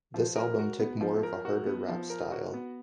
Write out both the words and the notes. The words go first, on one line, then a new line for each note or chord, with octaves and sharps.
This album took more of a harder rap style.
F3
A#4
F#4
B3
F3
A#4
F#4
B3
F3
A#4
F#4
B3